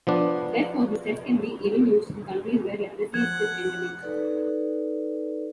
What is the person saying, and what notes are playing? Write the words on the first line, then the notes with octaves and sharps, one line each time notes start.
Therefore, this test can be even used in countries where leprosy is still endemic.
F3 B3 D4
F3 F#5 G#6
D#4 A4 B4 D5